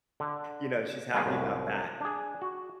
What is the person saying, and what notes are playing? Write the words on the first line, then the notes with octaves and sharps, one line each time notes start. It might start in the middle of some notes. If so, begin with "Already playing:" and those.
you know, she's happy about that.
D3
G3 A#3 B3 C#4 D#4 G#4
C2 F#2 A2
D4 G#4
F#4